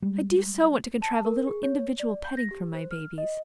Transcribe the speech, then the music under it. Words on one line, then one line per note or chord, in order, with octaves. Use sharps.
I do so want to contrive a little individual petting for my babies.
G3 G#3
A5
A#4
G#4
C#5
D5
G6
A#6
G4
C5
F6
D#5